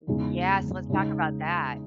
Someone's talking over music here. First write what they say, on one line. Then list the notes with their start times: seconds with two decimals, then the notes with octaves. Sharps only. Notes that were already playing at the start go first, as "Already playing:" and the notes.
Yes. Let's talk about that.
0.07 E2 C#3 G#3 D#4
0.90 C#3 G#3 D#4